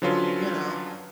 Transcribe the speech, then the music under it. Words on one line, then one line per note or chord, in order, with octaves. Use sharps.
you know?
D3 F3 F#3 C#4 F4 B4